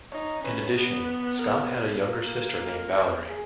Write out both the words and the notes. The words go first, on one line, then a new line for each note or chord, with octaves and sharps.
In addition, Scott had a younger sister named Valerie.
D#4 C#5
C#4 B4
B3
A#4
A#3
A#4
G#4